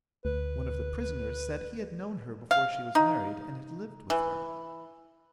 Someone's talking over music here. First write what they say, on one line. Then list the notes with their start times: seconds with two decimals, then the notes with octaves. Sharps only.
One of the prisoners said he had known her before she was married and had lived with her.
0.25 D2 B4
2.51 F5
2.95 D#4
4.10 E3